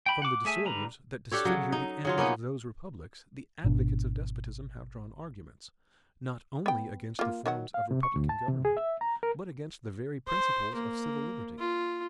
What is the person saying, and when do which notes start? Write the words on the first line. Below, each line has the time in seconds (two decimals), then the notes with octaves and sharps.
From the disorders that disfigure the annals of those republics the advocates of despotism have drawn arguments, not only against the forms of republican government, but against the very principles of civil liberty.
0.06 G5 B5
0.22 F#5 D6
0.45 A3 G#4 E5 G#5
0.65 D3 G3 B4 A#5
1.32 D4 G4 A4 C#5
1.45 C#3 F#3
1.72 D#4
2.05 C#3 F#3 F4
2.18 A#3 B3 C#4 D#4
3.64 G#1 B2 D4
6.66 B3 G5
7.19 A#3 F4
7.46 D#3 F#3 F#5
7.74 F5
7.91 C3
8.03 C#6
8.16 D2
8.29 A5
8.48 C3
8.65 G#4
8.77 E5
9.01 A#5
9.23 A#4
10.27 C5
10.75 A#3
11.59 F4